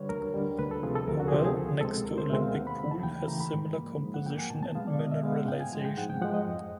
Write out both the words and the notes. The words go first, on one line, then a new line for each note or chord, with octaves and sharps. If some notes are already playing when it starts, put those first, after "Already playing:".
A well next to Olympic pool has similar composition and mineralization.
Already playing: D3 G3 B4 C#5
D2 A#4
D3 G3
D2 B4
A4
C3 F3 A3 C4 G#4
A4
D2 A#4
F#4
G#4
C3 F3 A3 C4 G4
G#4
C#2 A4
G#4
B2 G#3 C4 A4
C#2 A#4
C5
B2 G#3 C4 E5
F5
D#2 F#5
B5
C#3 E3 A3 B5
A5
D#2 G5
C#3 E3 A3 A#5
B5
G#2
F3 A#3
G#2
F#5
F3 A#3 G5
G#5
B2 A5
A5
G#3 B3 F5
D5
B2 D#5
E5
G#3 B3 F5
F#5
G#2 G5
G#5
F3 G#3 G#5
G5
G#2 F#5
G5
F3 G#3 F#5
D#5
F2